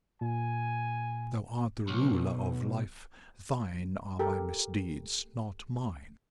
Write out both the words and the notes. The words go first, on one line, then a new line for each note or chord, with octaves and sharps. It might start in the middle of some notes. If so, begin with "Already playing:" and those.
If thou art the Ruler of Life, thine are my misdeeds, not mine.'
A#2 G#5
B1
G4 A4 A#4